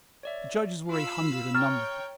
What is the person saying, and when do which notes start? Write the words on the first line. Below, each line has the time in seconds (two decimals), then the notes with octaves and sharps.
The judges were a hundred in number.
0.23 C#5 D5 E5
0.89 F4 F5 B5 E6
1.55 C#5 G5 A#5 C#6 F6 A6